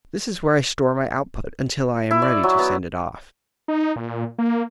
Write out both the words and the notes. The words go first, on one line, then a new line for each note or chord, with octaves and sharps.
This is where I store my output until I am ready to send it off.
E4
D5
F#3
B3
D#4
A#2
A#3